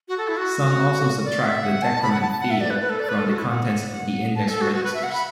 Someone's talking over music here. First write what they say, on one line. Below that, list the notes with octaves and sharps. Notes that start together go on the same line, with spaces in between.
Some also subtract the "decrement" field from the contents of the index registers.
F#4
A4
E4
F#4
D5
E5
F#5
A5
B5
F#5
A5
A5
F#5
E5
D5
B4
B4
A4
D5
B4
A4
F#4
E4
F#5
A5
A4
F#4
F#4
B4
E5
F#5
B5